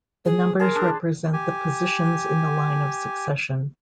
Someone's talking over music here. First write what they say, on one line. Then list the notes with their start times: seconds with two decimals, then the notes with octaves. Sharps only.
The numbers represent the positions in the line of succession.
0.25 G#4
0.60 G#4 A#4 A5 C6
0.76 D4
1.33 G4 G#5